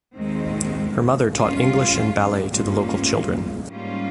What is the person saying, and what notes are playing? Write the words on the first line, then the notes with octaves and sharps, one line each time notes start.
Her mother taught English and ballet to the local children.
D#2 D#3 G#3 C4
G2 G3 C#4 F4
G2 G3 A#3 C#4 F4
G#2 G3 A#3 C#4 F4